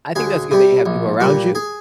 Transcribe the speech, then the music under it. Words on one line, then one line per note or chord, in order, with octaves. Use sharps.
I think that's good that you have people around you,
D2 G#4
C3 G3
A#1
A#2 G3
G#4